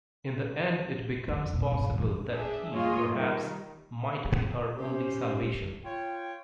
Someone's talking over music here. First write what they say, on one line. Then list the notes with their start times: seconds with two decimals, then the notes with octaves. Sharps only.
In the end it becomes possible that he, perhaps, might be her only salvation.
1.28 F2
1.53 B2
1.72 G#1
1.91 E3
2.29 D4 G#4 E5
2.71 G#3 A#3 F4 G#4 C#5 D#5
3.10 D#3 G3
4.76 C#4 G4 C5
5.84 F4 C#5 G5